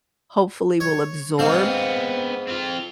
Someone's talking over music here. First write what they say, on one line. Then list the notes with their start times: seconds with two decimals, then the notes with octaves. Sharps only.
hopefully will absorb
0.80 C#5
1.39 G#2 B3 C4 F5
2.48 C4 F4